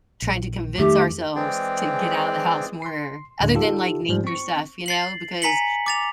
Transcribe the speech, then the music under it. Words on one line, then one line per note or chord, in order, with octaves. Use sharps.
trying to convince ourselves to get out of the house more, other than, like, nature stuff, you know, because
A#1
F2 D#3 G3 A3 G4
E3 G#3 C4 G#4 D5 G5
C6 C7
D2 A2 D3
D#4 F4 G4 A4
G#2 F3 G3
C4 C#6
A6 C7 F#7
G#5 A#5 B6 C#7 F#7
D6 A6 F7